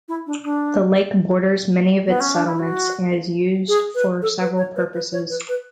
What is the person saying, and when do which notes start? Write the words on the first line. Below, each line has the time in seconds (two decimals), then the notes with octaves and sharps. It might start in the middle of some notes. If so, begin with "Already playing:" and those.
The lake borders many of its settlements and is used for several purposes.
0.08 E4
0.26 D4
0.43 D4
2.07 B3
2.20 C#4
2.34 D4
2.46 E4
2.59 F#4
3.68 G#4
3.95 B4
4.22 A4
4.41 B4
4.57 C#5
4.76 B4
4.94 B4
5.12 C#5
5.30 B4
5.49 B4